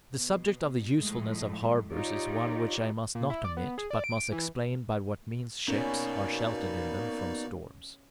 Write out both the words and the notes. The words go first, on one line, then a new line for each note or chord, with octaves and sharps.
The subject of the usefulness of harbours is one which I must not omit, but must explain by what means ships are sheltered in them from storms.
B2
A2 F3 G#3 A3
D#4 F4 G4 C#5 D5
A#2
E4
D5
B3
G#4
D5
D7
E3
B2 A#3 C#4 D#4 D5